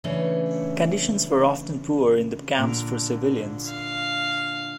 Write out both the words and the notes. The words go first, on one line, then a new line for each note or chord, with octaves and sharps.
Conditions were often poor in the camps for civilians.
C#3 E3 A3 C#4 D4
A#2 D3
F5